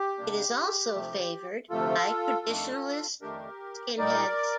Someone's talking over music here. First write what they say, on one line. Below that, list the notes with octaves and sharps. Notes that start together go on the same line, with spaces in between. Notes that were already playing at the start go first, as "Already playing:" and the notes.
It is also favoured by traditionalist skinheads.
Already playing: G4
C3 G3 A#3 D4
D2 C3 F3 A3
D2 C3 F3 A3 F4 A4
F2 D#3 A3 D4
F2 D#3 A3 D4 G4 A#4
A#2 G3 A#3 D#4 A#4 D5